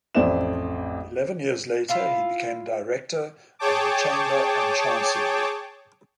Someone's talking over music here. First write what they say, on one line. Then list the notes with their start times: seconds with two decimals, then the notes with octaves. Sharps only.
Eleven years later he became director of the chamber and chancellery.
0.15 A1 F2 C5 D5 E5 E7
1.89 E4 F4 F5
3.59 G#4 C#5 G5 A5 D6